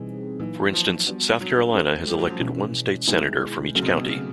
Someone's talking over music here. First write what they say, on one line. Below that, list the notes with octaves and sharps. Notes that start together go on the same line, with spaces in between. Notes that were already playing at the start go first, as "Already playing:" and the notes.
For instance, South Carolina had elected one state senator from each county.
Already playing: B2 E3 G3 C4 D#4 G#4
A#2 E3 F#3 A#3 D#4
F3
G3 B3 D4 F#4
F#3
A3 C#4 F#4 A4 C5
G3
F#3
F3
B2 E3 G#3 C#4
B2 D#3 G#3 B3 E4 G#4
C#3 F#3 A3 C#4 F#4
C3
B2
C3
C#3